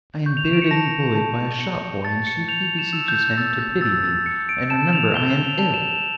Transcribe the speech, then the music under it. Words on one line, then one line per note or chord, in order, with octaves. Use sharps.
I am bearded and bullied by a shop-boy, and she beseeches him to pity me and remember I am ill!'
C#6 G6
F7
E7
D7
C#7
A5 A#6
A5
A5 C#7
A5 A6
C#7
G6 F7
E7
E6
G6
E6 A6
G6
E6 A6
A6
G6 C#7
D7
A5 E7
F7
G6 G7
F7
A5
E7